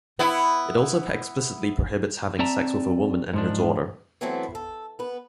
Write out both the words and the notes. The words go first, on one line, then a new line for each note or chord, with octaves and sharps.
It also explicitly prohibits having sex with a woman and her daughter.
B3 E4
C4 D5 E5 A5 A#5
G#2 F3 D4
E3 F#3 A3 B3 C4 E4
A4
B3 B4